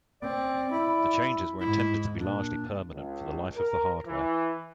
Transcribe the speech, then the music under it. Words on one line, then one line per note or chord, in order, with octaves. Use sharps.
The changes were intended to be largely permanent for the life of the hardware.
C4 D5
E4
G#2 E4
A#2 D4
C#2
A#4
E3